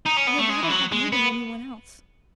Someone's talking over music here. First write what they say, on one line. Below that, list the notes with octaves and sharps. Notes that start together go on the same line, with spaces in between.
And I'd rather have you than any one else.
D#4
C#4
B3
A3
G#3
E3
F#3
G#3
B3